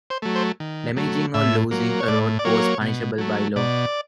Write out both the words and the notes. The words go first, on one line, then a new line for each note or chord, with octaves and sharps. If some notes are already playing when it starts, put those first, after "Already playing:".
Damaging or losing a rod was punishable by law.
C5
F#3 A3
C5
D#3
F#3 A3
A2 E5
F#3 A#3
C#5
A2 D5
D5
F#3 A#3 C#5
B2
F#3 A3
B2 D5